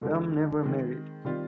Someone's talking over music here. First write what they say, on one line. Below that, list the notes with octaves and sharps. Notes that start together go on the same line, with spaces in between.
Dumm never married.
F2 D3 F3 G#3
D#3 G#3 C4
D#3 G3 C4 F4